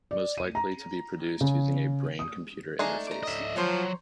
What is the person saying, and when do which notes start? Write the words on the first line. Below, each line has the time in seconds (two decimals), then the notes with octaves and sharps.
Most likely to be produced using a brain-computer interface.
0.11 D5
0.38 D#7
0.55 A#5
1.41 C#3
2.19 D#6
2.79 A3 D4 D#4 G#4 A#5
3.07 A#5 D6
3.23 D#5 E5
3.56 F3 F#3 C5 C#5 A#5